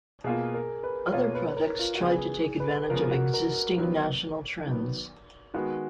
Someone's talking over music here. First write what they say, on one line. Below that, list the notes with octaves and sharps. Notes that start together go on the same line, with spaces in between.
Other products tried to take advantage of existing national trends.
B2 A#3 F4 G#4
A#4
B4
B2 A#3 F4 C#5
B4
A#4
F4
F#4
C#3 F3 B3 G#4
B4
C#3 F3 B3 A#4
F#4
A#4
D#3 F#3 B3
D#3 F#3 B3
D#3 G#3 B3 F#4